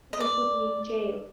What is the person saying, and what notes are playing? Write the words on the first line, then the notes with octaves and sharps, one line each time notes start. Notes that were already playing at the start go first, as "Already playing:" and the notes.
They put me in jail.
D#5
D5